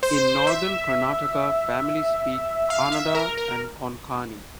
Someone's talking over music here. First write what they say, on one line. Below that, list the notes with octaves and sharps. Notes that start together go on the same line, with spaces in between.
In Northern Karnataka families speak Kannada and Konkani.
C5
E5
F5
E5
A#4
A#4